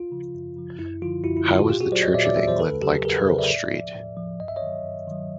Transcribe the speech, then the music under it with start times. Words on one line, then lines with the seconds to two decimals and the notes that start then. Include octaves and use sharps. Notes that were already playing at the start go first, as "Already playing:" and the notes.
How is the Church of England like Turl Street?
Already playing: F4
0.12 C#3 F3
0.35 F#2
0.57 C#3 F3
0.79 F#2 E4
1.02 D3 F3 F4
1.24 F#2 E4 F#4
1.37 E4
1.47 D3 F3 F4
1.58 F#4
1.69 A#2 F4 G4
1.80 F#4 G#4
1.92 F#3 C5 D5
2.03 C#5 D#5
2.14 A#2 D5 E5
2.25 D5 E5
2.37 F#3 D5 E5
2.48 C5 D5
2.59 E2 A4 B4
2.82 C#3 F#3 G4 A4
3.05 E2 G#4 A#4
3.16 A4 B4
3.27 C#3 F#3 A#4 C5
3.39 D5 E5
3.50 A2
3.73 F3
3.95 A2
4.17 F3
4.40 G2 D#5
4.48 E5
4.56 C#5 D#5
4.62 D#3 F#3
4.84 G2
5.08 D#3 F#3